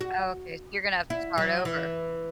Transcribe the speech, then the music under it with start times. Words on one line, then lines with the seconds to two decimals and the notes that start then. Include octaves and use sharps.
Oh okay so you're gonna have to start over.
0.01 F#4
1.10 E4
1.38 F#3
1.65 E3